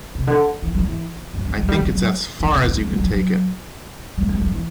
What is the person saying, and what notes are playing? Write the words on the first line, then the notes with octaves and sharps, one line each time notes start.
I think it's as far as you can take it.
C3
D3
E3
F#3
E3
F#2
G2
E3
F#3
G3
F#3
F#3
E3
C3
D3
F#3
G3
F#3
F#3
G3
G3
F#3
E3